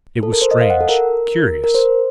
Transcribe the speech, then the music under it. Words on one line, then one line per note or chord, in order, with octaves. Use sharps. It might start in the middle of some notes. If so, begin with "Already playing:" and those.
It was strange, curious!
A4
A#4
C5
D#5
F5
F#5
A4
A#4
A#4
C5